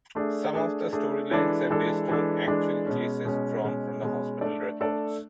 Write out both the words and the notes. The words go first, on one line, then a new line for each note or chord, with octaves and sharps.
Some of the storylines are based on actual cases drawn from the hospital records.
A3 D4 G#4
A3 D4 G#4
A3 D4 G#4
E3 G#3 D4 A4
E3 G#3 D4 A4
E3 G#3 D4 A4
E3 G#3 D4 A4
B2 G#3 C#4
B2 G#3 C#4
B2 G#3 C#4
B2 G#3 C#4
A3 D4 A4 D5
A3 D4 A4 D5